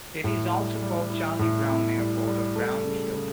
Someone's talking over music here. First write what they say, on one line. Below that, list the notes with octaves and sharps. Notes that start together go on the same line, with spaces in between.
It is also called Charlie Brown Airport or Brown Field.
A2
G3
G3
E4
A2
E4
G3
G3
A3
C#3
C#3